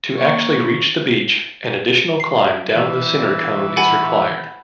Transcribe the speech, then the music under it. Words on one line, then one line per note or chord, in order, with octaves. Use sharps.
To actually reach the beach, an additional climb down the cinder cone is required.
A#3 C#5
C7
E3
F#5 G#5 B5